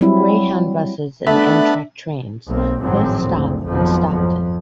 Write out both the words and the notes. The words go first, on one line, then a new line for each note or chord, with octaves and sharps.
Greyhound buses and Amtrak trains both stop in Stockton.
F#3 G3 C4 E4
A3 B3 D4 E5 F#5 A5
B1 A#3 C4
G#1 F#2 A2 F3 F#3 C4
F#1 D2
G#1 F2 B2 F3 F#3
F2